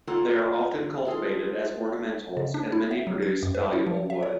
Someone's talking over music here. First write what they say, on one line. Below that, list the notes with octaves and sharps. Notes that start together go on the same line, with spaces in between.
They are often cultivated as ornamentals and many produce valuable wood.
A#3 F4 A4 C#5 F#5
F4 G#4 A4
C#3
D4
E4
E5
F#3
G#6
F#2
B4
E4
F3
E5
C#5